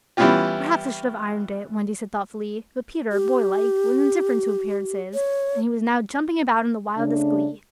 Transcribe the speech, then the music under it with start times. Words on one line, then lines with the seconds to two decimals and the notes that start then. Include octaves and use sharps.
"Perhaps I should have ironed it," Wendy said thoughtfully, but Peter, boylike, was indifferent to appearances, and he was now jumping about in the wildest glee.
0.17 E3 G3 B3 C#4 F4 G4
3.12 G4
5.14 C#5
6.97 C#3 A3 D4